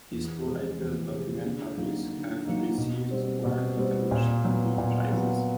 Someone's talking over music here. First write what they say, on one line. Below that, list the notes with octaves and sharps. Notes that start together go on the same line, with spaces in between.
His two latest documentaries have received twelve International Film Prizes.
E2
C3 F3 G#3
E2
C3 F3 G#3
D3
F#3 A#3 D#4
D3
F#3 A#3 D#4
B2
G3 C4
B2
G3 C4
A#2
F#3 B3
A#2
F#3 B3